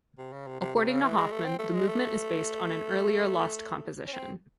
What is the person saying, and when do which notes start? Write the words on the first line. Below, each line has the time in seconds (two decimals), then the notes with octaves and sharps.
According to Hofmann, the movement is based on an earlier lost composition.
0.18 C3
0.33 C#3
0.47 C3
0.61 C3
0.75 C3
0.89 C#3
1.03 E3
1.17 G#3
1.31 A3
1.45 C4
1.59 A3
1.74 G#3
1.88 A3
4.07 C#4
4.13 C4